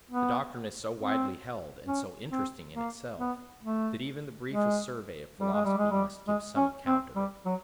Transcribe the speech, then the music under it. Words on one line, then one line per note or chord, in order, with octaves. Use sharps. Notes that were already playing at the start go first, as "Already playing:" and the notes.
The doctrine is so widely held, and so interesting in itself, that even the briefest survey of philosophy must give some account of it.
B3
C4
C#4
C4
A#3
B3
A3
G#3
G3
G#3
G3
G#3
G3
G#3
C#4
C4
G3
F#3